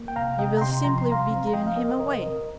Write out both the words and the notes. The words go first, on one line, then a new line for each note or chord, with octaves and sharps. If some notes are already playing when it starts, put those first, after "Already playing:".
You will simply be giving him away.
Already playing: A#3
G5
C3 F5 A#5
C3 D#5 G5
A#5
C3 G5 C6
F3 A#5
C6
C3 F5 A#5
C4
A#5
F3 D#5 G5
F5
C4 A#4 D#5
C5
C3 A#4 D#5
C4 A#4 D#5